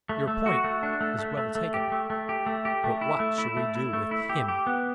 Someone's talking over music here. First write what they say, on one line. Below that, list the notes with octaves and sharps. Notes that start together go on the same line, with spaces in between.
"Your point is well taken; but what shall we do with him?"
A3
A3
F#4
A3
D4
A3
A3
A3
A3
G4
A3
A3
G4
A3
G4
A3
E4
A3
E4
A3
E4
A3
E4
G4
G4
B3